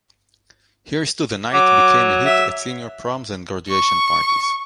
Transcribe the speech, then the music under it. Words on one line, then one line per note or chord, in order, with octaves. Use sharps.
"Here's to the Night" became a hit at senior proms and graduation parties.
F#3 D6
E5
C#6